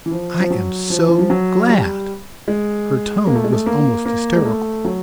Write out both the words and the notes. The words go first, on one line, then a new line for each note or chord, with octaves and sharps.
"I am so glad!" Her tone was almost hysterical.
E3
F3
F3
F#3
F3
E3
F3
F#3
G3
G#3
A#3
A3
G#3
A3
A#3
A#3
G#3
A3
F#3